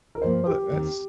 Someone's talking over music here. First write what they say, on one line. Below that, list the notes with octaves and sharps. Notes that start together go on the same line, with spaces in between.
Oh, that that's
A#4
G2 F3 A#3 C5
G4
D#2 D#3 C4